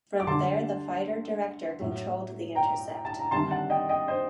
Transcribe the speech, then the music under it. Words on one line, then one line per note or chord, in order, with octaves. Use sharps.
From there the fighter director controlled the intercept.
D6
D2 D3 G3 A5 C6
A2 F#3
G5 A#5
A5
A#5
D2 C3 D#3 G3 A5 C6
F#5 A5
D#5 G5
D#5 G5
C5 D#5